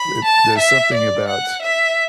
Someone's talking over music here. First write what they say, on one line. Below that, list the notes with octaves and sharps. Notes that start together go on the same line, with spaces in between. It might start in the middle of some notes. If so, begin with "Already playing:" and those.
a there's something about,
Already playing: B5
A5
E5
D5
F#5
E5